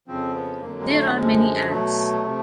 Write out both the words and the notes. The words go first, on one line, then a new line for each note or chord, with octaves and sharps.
There are many ads.
F2 C#3 F3 C4
B3
F2 D3 F#3 A#3
G#3
A3
F#2 D3 F3 G#3
B2 F#3 A3
C3 F3